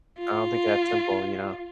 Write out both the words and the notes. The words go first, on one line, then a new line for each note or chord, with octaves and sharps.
I don't think it's that simple, you know,
F4